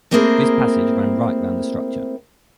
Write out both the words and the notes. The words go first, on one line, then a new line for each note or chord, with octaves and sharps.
This passage ran right round the structure.
A3 A#3 C4 E4 G#4 A#4